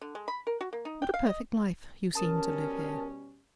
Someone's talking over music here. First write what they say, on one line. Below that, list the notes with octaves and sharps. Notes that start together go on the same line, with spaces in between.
'What a perfect life you seem to live here!
D3
G#3
B5
A#4
F#4
A#3
D#4
G5
F5
D#5
B2 G3 C#4 A#4 A5 D#6